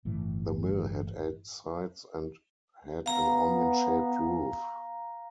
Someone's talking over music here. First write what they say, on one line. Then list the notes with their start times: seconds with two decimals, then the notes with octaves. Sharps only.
The mill had eight sides and had an onion-shaped roof.
0.05 G1 A2 E3
3.06 B3 F5 A#5